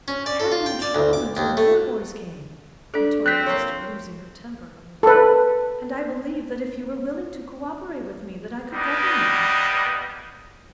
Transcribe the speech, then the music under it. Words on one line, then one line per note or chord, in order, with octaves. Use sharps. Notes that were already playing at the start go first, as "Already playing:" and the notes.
"I had no trouble until your boys came," retorted Esther, losing her temper a little, "and I believe that if you were willing to co-operate with me that I could govern them."
C#4
D5
A4
F4
G5
D5
D2
D6
D#2
A3
D4 A4 D5
C4 F#6 B6
A#3 F4 C#5
A4 B4
G3 A#3 B3 D4 D#5